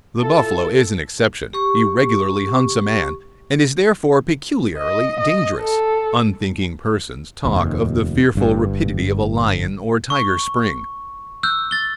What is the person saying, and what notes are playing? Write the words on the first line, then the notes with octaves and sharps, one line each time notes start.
The buffalo is an exception; he regularly hunts a man, and is therefore peculiarly dangerous. Unthinking persons talk of the fearful rapidity of a lion or tiger's spring.
E4 F4 A4 A5
G4 C#6
D#5
D#5
A4
F1 D#2
G1 G2
C#6
E6 F#6 G6
A6 G7